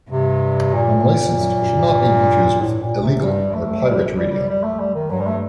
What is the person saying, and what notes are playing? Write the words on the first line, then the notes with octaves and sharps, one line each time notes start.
"Unlicensed" should not be confused with "illegal" or pirate radio.
G2 C3
A#2
F#2
G2
A2
A#2
C3
G2 G3
F#2 A3
G3
G3
G3
G3
A3
G3
D#3
G2 F#3
G3
A3